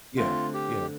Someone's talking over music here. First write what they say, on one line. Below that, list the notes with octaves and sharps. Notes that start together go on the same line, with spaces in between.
Yeah. Yeah.
D3 A3 C4 F4
G4